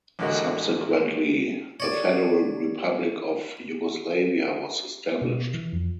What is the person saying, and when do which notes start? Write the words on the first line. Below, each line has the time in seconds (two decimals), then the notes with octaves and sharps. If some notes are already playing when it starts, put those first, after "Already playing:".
Subsequently, the Federal Republic of Yugoslavia was established.
0.19 A1 D3 G#3 A#3 F#4 D#5
1.80 C#5 D5
5.21 B2
5.53 E3
5.72 F2